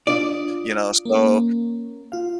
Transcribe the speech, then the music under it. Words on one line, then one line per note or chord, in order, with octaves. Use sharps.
you know, so,
D4 F4 D5 D#6
A#3 C#4
F4 F5